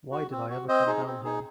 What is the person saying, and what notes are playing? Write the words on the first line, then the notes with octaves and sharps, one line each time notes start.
Why did I ever come down here?
F#4
C4
F#4
C4 C5 D#5
D#4 G#4
C4
D#4 G#4